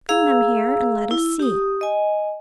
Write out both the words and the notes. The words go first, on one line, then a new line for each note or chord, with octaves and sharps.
Bring them here, and let us see.
G#4 F5 A#5 E6
E4
G4 D#6
D#5 G#5